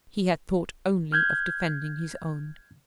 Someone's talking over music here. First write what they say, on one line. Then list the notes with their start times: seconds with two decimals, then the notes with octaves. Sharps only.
He had thought only of defending his own.
1.12 F6 G6 G#6